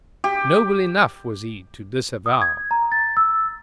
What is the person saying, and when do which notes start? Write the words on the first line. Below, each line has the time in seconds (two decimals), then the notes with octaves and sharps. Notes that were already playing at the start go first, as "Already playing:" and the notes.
Noble enough was he to disavow!
0.24 G4
2.26 D#6
2.41 G#6
2.71 A#5
2.92 A6
3.17 E6